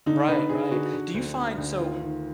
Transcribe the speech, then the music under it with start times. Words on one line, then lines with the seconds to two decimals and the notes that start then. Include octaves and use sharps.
Right, right. Do you find so,
0.06 D3 D#4
0.28 D3 B4
0.49 D3 G#4
0.71 D3 F#4
0.93 D3
1.14 D2
1.36 D3
1.58 D2
1.79 D#3 F4
2.01 D#3